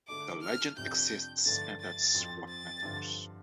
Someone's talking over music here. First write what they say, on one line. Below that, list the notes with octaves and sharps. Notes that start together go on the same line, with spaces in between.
The legend exists, and that's what matters.
D3 A3 D4 D6
F6
F2 C3 G3 D4 G6
G2 D3 F3 A3 D4 A6
A6
F2 F3 C4
A6
G2 D3 F3